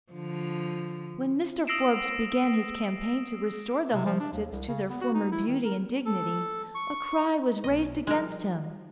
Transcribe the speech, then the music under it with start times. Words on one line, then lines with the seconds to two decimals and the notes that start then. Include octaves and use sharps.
When Mr. Forbes began his campaign to restore the homesteads to their former beauty and dignity, a cry was raised against him.
0.12 D3 F3
1.67 D#6 E6 A#6 C7 D7 E7
3.93 C3
4.06 F3
4.20 D4
4.33 D#2
4.52 C2
4.68 C#3
4.90 B3
5.01 F#4
5.15 D#4
5.32 E4
5.48 D#3
5.65 A#4
6.06 A4
6.75 C#6
7.64 B1 D#5
8.07 F3 G3 G#3 A#4